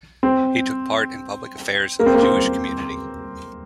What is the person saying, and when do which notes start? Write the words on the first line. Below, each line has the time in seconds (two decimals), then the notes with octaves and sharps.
He took part in public affairs of the Jewish community.
0.23 C4
1.99 A#3
2.06 C4
2.15 A#3
2.23 C4